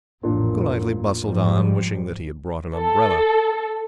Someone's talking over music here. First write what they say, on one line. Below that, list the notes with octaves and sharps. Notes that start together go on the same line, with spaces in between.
Golightly bustled on, wishing that he had brought an umbrella.
A1 F2 A#2 A#3 D4
G#2 F3 G3
A4